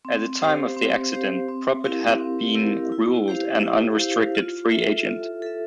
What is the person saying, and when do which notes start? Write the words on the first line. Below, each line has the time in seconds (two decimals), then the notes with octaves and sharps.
At the time of the accident, Probert had been ruled an unrestricted free agent.
0.05 C4
0.41 G4 C5 F5
0.76 C4
1.12 G4 C5 F5
1.48 C4
1.84 E4 G4 A#4 F5
2.20 C4
2.55 E4 G4 A#4 F5
2.92 E4
3.28 G4 C5 F5
3.63 E4
3.99 G4 C5 F5
4.35 F4
4.71 A4 E5
5.06 F4
5.42 A4 E5